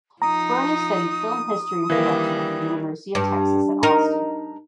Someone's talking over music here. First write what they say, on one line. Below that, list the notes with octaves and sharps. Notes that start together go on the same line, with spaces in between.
Berney studied film history and production at the University of Texas at Austin.
F3 D#4 A#5 D#6
D#3 E3 G3 A#3 D4
G2
D#4 A#4